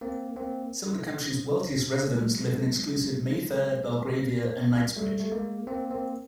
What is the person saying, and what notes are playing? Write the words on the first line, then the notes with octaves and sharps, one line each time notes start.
Some of the country's wealthiest residents live in exclusive Mayfair, Belgravia and Knightsbridge.
A#3 C4
A#3 C4
F#3 G#3
G3 A3
A3
G#3 A#3
A#3 C4
A#3 C4